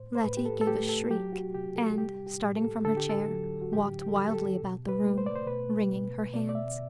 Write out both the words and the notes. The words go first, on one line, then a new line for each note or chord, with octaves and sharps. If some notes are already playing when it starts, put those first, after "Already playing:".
Letty gave a shriek, and, starting from her chair, walked wildly about the room, wringing her hands.
Already playing: A2 C5
C5
A2 B4
G4
A4
A4
A3 G4
A4
F#3 G4
F#4
C3 G4
A4
G3 G4
G4
A2
A4
D3 A4
G4
A4
F#3
F#4
A2 G4
G4
A4
F#3 G4
A4
B2
B4
A3
C5
D5
C5
B2 B4
B2
B2 D5
D5
E5